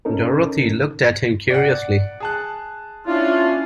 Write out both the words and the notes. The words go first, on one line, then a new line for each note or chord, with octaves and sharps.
Dorothy looked at him curiously.
C#4 D#4 A4 A#4
D5 F#5
G#4 A5 F#6
C#4 D4 E4 F4